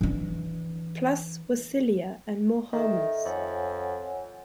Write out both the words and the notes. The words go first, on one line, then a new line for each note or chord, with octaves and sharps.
Plus we're sillier and more harmless.
E3 D4
D#3 A4 E5
F2 C#5 F#5 G#5